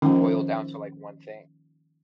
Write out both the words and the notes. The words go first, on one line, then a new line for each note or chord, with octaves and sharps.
boil down to, like, one thing.
D#3 F3 C#4